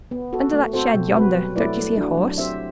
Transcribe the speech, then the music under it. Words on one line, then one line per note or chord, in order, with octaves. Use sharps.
"Under that shed yonder, don't you see a horse?"
B3
F#4 A4
A3
C4 F#4 A4 C5
B2
G3 C4 F#4 B4
F#3
A3 E4 B4 D5
A3
D4 F#4
F#3
C4 G4 C5 E5